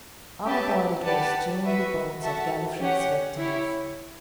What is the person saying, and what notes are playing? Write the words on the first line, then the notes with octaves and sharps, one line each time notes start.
All about it were strewn the bones of Galifron's victims.
C#4 G4 B4 E5 A5
G4 B4 D5 F#5 A5
F#4 B4 E5
F#4 A4 E5 A5
C#4 G4 C#5 F#5
E4 G4 C#5